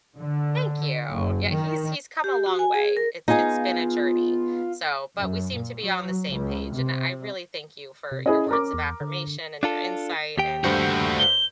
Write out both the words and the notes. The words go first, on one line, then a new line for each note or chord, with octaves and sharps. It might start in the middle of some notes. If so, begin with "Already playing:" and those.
Thank you, yeah, he's he's come a long way, it's it's been a journey, so, but we seem to be on the same page and that I really thank you for your words of affirmation and your insight and
D3
F#1
D#3
G4
F#4
G#5
G#4
A#4
B3 D#4 F4 G#4
F#2
A#2
F#3
C#2
C3
C3
C#4 E4 G#4 D#5
A#4 D6
E2
D3
D4 F4 A4
D#2 G4 G5
G2 A3 F#4 C5 G6
G7